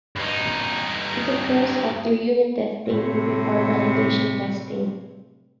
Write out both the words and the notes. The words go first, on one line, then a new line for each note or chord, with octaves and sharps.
It occurs after unit testing and before validation testing.
G2 D#4
A2 C3